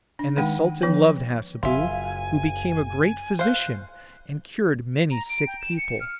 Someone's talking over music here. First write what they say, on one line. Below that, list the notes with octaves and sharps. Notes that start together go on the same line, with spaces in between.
And the Sultan loved Hassebu, who became a great physician, and cured many sick people.
D4
D#3 G#3 D#4 F#5 G5
F3 B3 D#4 B4
F#1 F4 E5 G#5
C5 F5 F#6
A#5
D7
G5
E7
C#7
F6